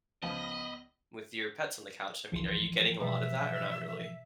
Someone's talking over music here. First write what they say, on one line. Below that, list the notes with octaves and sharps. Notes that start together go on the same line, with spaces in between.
with your pets on the couch. I mean, are you getting a lot of that or not really?
C#2 F3 B3 D#5 B5 D#6
G1 C#2 G#2 E3 F3 C6
B2 G3 G#3 D#4 E5